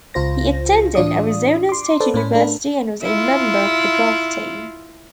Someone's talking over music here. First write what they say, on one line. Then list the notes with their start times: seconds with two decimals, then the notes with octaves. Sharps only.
He attended Arizona State University and was a member of the golf team.
0.14 C#2 F4 C5 A#6
0.95 A2 E3 D4 F4 D5 D#6
1.69 C6 D6
2.00 A4 B4 C5 D5
2.14 A2 C#4 B5
2.34 A3 D4 A4 A#4
3.03 E4 F4